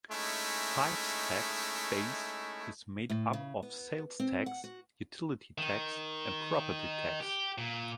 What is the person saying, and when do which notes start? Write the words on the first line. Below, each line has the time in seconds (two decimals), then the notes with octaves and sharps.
Fife's tax base is made up of sales tax, utility tax, and property tax.
0.11 G#3 A3 C#4 D#4 E4
3.10 A2
3.33 C#3
3.63 B3
4.20 C4
4.46 F#5
4.64 F#4
5.58 D#3
7.20 G4
7.58 A#2